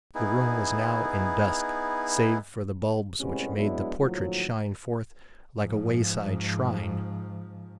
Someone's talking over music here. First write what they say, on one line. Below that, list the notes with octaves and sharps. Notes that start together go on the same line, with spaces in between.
The room was now in dusk, save for the bulbs which made the portrait shine forth like a wayside shrine.
B3 D#4 E4 G#4
A2 C3 G3 G#3 B3 C#4
F#3 G#3 B3 D4 E4
D#2 A2 F3 F#3
G#2 F3